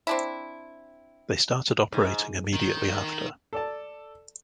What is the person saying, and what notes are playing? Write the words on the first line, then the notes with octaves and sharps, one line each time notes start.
They started operating immediately after.
C4 D4 E4
G#2
D#3
A4 D5 A5